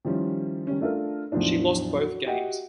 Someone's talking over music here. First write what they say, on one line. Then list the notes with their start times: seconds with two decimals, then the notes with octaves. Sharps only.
She lost both games.
0.05 D#3 F3 G3 C#4 E4
0.67 D#3 G3 C#4
0.81 A3 D4 F4 A4 A#4
1.31 E2 A2 F3 F#3 D4 D#4
1.97 F#4
2.26 F#4 G4 D#5 E5 F#5 G5